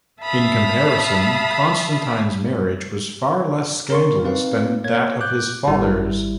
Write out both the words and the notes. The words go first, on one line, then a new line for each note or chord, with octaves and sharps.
In comparison, Constantine's marriage was far less scandalous than that of his father's.
E5 F5 A5 B5 D#6
A#4 C6 C#6
C4 D#4 B4 F5
A#3 C#5 G#6
D6 F#6 G6
G#1 G3 E4